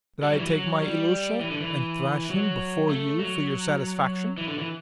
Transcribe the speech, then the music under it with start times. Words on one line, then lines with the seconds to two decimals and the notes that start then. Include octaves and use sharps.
That I'd take my Ilusha and thrash him before you for your satisfaction?
0.23 G3
0.31 F#3
0.39 E3
0.47 F#3
0.82 G3
1.41 E3
1.51 D3
1.61 E3
2.30 F#3
2.89 A3
3.19 F#3
4.38 E3
4.48 D3
4.58 E3